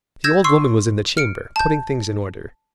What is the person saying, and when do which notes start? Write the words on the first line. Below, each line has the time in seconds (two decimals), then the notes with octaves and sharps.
The old woman was in the chamber, putting things in order.
0.24 E6 G6 G#6 A#6 E7
0.44 C6 C#6 E6 C7
1.17 F6 C#7 D7
1.56 A5 G6